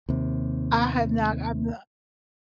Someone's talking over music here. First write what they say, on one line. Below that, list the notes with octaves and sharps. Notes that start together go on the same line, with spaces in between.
I have not I've no
D#2 C3